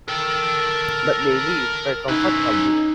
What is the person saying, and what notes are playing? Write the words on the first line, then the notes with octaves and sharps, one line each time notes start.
But they live very comfortably.
A4 A#4 G5
C#4 D#4 E4 B4